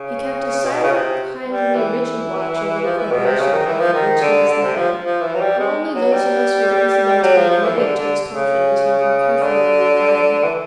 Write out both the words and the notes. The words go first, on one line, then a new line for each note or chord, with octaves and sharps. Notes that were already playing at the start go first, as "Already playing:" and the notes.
He kept a silent, kindly, rigid watch over the corporation-life of which he was the head; and only those of us who were incidentally admitted to his confidence knew how carefully we were guarded.
Already playing: C#3
B2
C#3
C3
G3
E3
F3
E3
B2
C3
C#3
D#3
E3
F3
D#3
D3
D3
C3
F3
F3
E3
F#3
G3
G#3
F#3
G3
F#3
F3
F3
E3
D3
D3
C#3
D3
E3